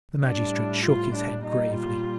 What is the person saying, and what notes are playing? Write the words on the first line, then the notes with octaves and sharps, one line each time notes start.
The magistrate shook his head gravely.
A2 G3 D4
F4
D4
A#2 G3 D#4
F4